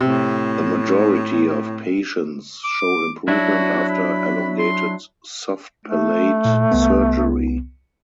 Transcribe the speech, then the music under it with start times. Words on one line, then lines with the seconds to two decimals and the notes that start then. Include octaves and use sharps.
The majority of patients show improvement after elongated soft palate surgery.
0.01 A2 C3
2.64 D6
3.28 F#3 D4 E4 F#4
3.89 B5
4.59 C6
5.86 A3
6.45 A#2
6.72 C2 B3